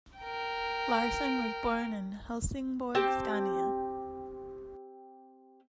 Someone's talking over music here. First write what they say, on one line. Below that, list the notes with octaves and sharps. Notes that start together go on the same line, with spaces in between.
Larsson was born in Helsingborg, Scania.
A#4 G5
C4 G4 A5